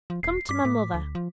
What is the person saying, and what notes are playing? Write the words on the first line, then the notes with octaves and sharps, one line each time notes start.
Come to my mother.
F3
E1 C7
G2 D6 B6
A2
D2
F3